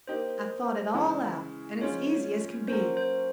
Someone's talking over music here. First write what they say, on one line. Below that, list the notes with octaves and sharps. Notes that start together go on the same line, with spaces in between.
I've thought it all out, an' it's easy as can be.
A#3 D#4 G4 C5
C#3 E3 G#3
F3 G#3 C#4 F4 C#5
F#3 A#3 C#4 C5
C5